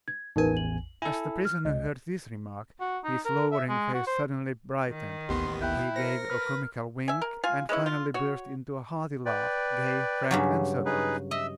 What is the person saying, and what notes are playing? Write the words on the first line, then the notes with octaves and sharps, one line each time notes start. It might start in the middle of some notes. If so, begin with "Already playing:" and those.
As the prisoner heard this remark, his lowering face suddenly brightened, he gave a comical wink, and finally burst into a hearty laugh, gay, frank, and sonorous.
G#6
A1 E2 D#4 A#4 B4 G#5
F#7
E4 A4 G#5
F6
C#2 D#5
F#4
D#4
A#4
E5
G#3
F#4
C5
D#3
A1 D#2 B3 G4 C6
E4 G5 F#6 G6
A#4 C5 A#6 C#7
B4 F6
E5 G#5
A#4
F4 F5 G#5
G#3 B3 C#4 E4
F4
F#4 C#5
B4 D5 G5
G2 C#3 F#3
D#4 G#4 B4
D#5 E5 E6